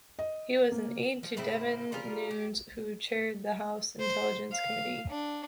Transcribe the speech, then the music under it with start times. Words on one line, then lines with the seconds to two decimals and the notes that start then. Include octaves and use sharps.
He was an aide to Devin Nunes who chaired the House Intelligence Committee.
0.19 D#5
0.72 A#3
1.23 F3
1.37 A2 C#3 C4 E4
1.92 G3 F4 G#4 A#4
2.31 G4
4.00 C5
4.52 F5
5.09 D4